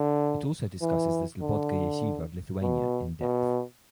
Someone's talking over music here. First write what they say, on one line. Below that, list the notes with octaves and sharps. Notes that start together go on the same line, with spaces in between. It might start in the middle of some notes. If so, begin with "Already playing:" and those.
It also discusses the Slabodka Yeshiva of Lithuania in depth.
Already playing: D3
E3
D3
B2
B2